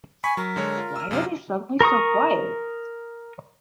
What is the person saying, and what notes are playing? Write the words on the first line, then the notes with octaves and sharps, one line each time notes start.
Why are they suddenly so quiet?
G#5 B5 C#6 B6
F#3 A#4
D3 G#3 C#5
F4
E6 F6
F#2 C3 F5 F6
A#4 A#5 C#6 D#6